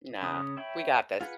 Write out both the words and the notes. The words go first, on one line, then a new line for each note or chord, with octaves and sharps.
Nah, we got this.
C#3 C#4 D#6
C#5 E5 G5 B5
F4 G#4 B4 F#5